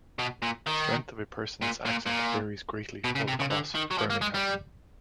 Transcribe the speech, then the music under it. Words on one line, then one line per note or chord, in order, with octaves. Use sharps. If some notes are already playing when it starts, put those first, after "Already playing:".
The strength of a person's accent varies greatly all across Birmingham.
B2
A#2
D#3
A#2
A#2
A#2
B2
C#3
C3
C#3
D3
D#3
F#3
F3
A#3
G#3
G3